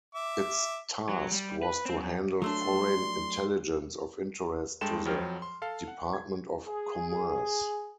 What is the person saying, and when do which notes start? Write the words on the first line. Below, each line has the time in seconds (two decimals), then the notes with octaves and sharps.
Its task was to handle foreign intelligence of interest to the Department of Commerce.
0.15 E5 D6
1.09 F#3
1.32 G3
1.63 B4
1.85 C4
1.97 F#2
2.42 F#3 A3 D4 C6
4.81 G2 G#3 A4 G5 C6 E7
5.05 F2 F3 F#3 G5 F6
5.42 C6
5.62 A4 F5
5.88 F#5
6.13 G#6
6.67 G#4